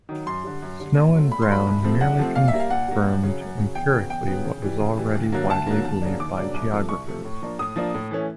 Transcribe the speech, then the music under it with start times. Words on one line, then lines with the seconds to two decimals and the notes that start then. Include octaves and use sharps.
Snow and Brown merely confirmed empirically what was already widely believed by geographers.
0.09 D#3 F#3
0.26 F#2 C6
0.44 D3 G3
0.62 F#2
0.79 D3 G3
0.96 A#2
1.13 F#3
1.19 A3
1.32 A#2 B5
1.42 C6
1.49 F#3 A3 B5
1.67 C2
1.83 C3 F3 A3 C4
2.00 C2 F#5
2.18 C3 F3 A3 C4
2.35 A#2 F5
2.48 E5
2.53 G3 A#3
2.60 F5
2.70 A#2 F#5
2.88 G3 A#3
3.06 F#2
3.23 C#3 F#3
3.41 F#2
3.58 C#3 F#3
3.75 E2 G5
3.93 C#3 F#3 B3
4.10 E2 G5
4.27 C#3 F#3 B3
4.45 C#3
4.62 E3 G3
4.80 C#3
4.98 E3 G3
5.15 D2
5.32 D3 F#3 A#3
5.49 D2 A5
5.67 D3 F#3 A#3
5.84 D#2
6.02 C#3 F#3 A#3 D4
6.19 D#2 D6
6.37 C#3 F#3 A#3 D4
6.54 C2
6.71 C3 F3 A3
6.89 C2 C#6
7.07 C3 F3 A3
7.25 A2
7.42 F3 A#3 D4
7.59 A2 D#6
7.76 F3 A#3 D4
7.94 A2
8.11 E3 A3 C#4